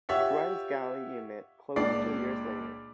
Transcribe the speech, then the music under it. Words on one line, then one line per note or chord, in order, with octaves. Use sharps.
The Grimes Galley unit closed two years later.
F4 G4 C#5 E5 F#5
C#2 A#2 D4 D5 D6 C7